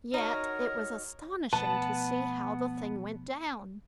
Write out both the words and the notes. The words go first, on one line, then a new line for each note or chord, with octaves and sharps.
Yet, it was astonishing to see how the thing went down.
D#4 F#4 A#4 C#5
B2 F3 A3 B3 B4 A5